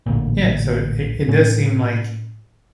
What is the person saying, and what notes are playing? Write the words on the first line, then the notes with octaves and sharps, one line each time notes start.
Yeah, so it it does seem like,
A1 D2 A#2
A2 C#4